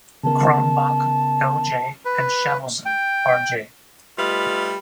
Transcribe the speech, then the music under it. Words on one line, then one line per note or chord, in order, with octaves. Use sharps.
Cronbach, L. J., and Shavelson, R. J.
C#3 B3 A#4 A5
B4
G5
G3 A3 F4 B4 D#5 E5